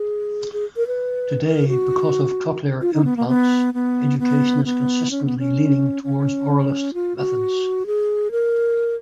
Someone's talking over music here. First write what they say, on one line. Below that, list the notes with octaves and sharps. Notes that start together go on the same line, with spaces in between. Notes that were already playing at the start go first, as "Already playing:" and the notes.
Today, because of cochlear implants, education is consistently leaning towards oralist methods.
Already playing: G#4
G#4
A#4
B4
A#4
F#4
F4
D#4
B3
A#3
B3
B3
B3
B3
C#4
B3
C#4
C#4
F4
F#4
G#4
A#4